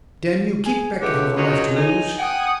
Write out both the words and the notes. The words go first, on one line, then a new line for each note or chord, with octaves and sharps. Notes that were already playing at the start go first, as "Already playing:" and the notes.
Damn you, keep back, if you've a life to lose!'
G#4
C#2 A3 G4 F#5
F#3 C#4 D#4 F#4
D#4 G#5
F#5 G5 D#6